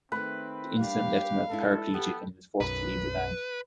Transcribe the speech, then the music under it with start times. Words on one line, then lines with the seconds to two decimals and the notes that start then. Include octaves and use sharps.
The incident left him a paraplegic and he was forced to leave the band.
0.12 D#3 A3 C4 B4
0.79 G3 A#3 D4 G4 F5
1.50 G#3 D4 E4 A4
1.94 B3 G4
2.61 B1 F#2 B4